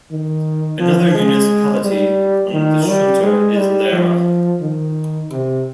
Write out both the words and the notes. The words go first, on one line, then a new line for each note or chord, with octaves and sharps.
Another municipality on the Schunter is Lehre.
D#3
F3
G#3
G3
D#3
G3
G#3
G3
F3
D#3
C3